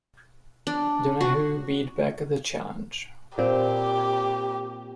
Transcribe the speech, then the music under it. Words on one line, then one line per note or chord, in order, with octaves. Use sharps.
Donohue beat back the challenge.
D4
F#4
A#2 C4 G4